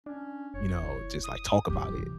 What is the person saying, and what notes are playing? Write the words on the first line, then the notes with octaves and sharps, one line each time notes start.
you know, just, like, talk about it,
C#4 D4
F#1 C#5
E4
D#6
G2 F3 G4
C3 E3